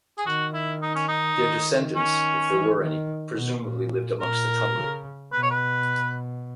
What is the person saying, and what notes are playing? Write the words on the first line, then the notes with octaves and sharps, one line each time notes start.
Their descendants, if there were any, presumably lived amongst the Tungri.
G#4
D#3 F#4
E4
D#4
C#4
D#4
D#3
C#4
E3
D#3
B2
A#2
A#2 A#4
C#3
B2 B4
C#5
B4